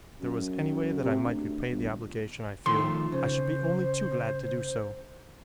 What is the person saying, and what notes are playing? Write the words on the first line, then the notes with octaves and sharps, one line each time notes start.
If there was any way that I might repay the obligation I feel, I should be only too glad to do so.
F#2
C3
D2
G1
D#3 F3 A3 C6
C#3 C5